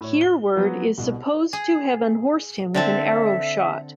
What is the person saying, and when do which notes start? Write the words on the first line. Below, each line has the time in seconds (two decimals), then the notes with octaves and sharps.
Hereward is supposed to have unhorsed him with an arrow shot.
0.01 A2 C#5
0.21 G7
0.56 F3 F#3 B3
0.98 C2 B2
1.53 G#4
2.74 D3 C4 A4 E5